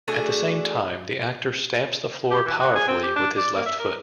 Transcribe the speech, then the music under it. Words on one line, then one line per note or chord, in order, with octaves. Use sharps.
At the same time, the actor stamps the floor powerfully with his left foot.
A3 D4 F#4 G#4
G4
E3
F#4
G#4
C4
G4
D4
D5
A#3
E5
A#4